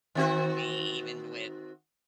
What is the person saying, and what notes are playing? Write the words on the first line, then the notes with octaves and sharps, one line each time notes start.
we even with,
D#3 C4 F#4